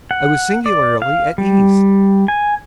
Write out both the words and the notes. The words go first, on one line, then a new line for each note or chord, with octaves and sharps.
I was singularly at ease.
F#5
D5
F5
G3
G#5